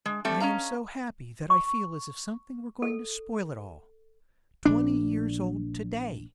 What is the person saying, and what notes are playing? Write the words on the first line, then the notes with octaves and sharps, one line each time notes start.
I am so happy that I feel as if something were going to spoil it all. Twenty years old to-day!
G#3
G3 A3 C4
C#4 D#5 F5 A#5
C#6
A4
A#1 D4